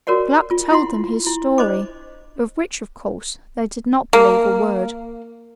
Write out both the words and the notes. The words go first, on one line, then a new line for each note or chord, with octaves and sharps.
Gluck told them his story, of which, of course, they did not believe a word.
F#4 A#4 C#5 D5 F#5
F4
E4 F4 F#5 C6
E4
D4 C5 D#5 D6
A#3